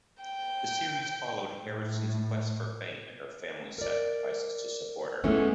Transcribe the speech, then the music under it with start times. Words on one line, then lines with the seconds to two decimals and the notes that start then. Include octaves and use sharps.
The series followed Harrison's quest for fame and her family's sacrifices to support her.
0.23 G5
1.66 A2
3.78 A#4 D5
5.24 E3 G#3 A3 B3 C#4